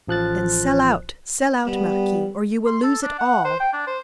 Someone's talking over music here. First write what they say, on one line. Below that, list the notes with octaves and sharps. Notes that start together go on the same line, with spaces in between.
"Then sell out--sell out, marquis, or you will lose it all."
A1 F3 F#6 A6
G3 B3
C6
A4
D4
F#5
C5
G5
D4
C5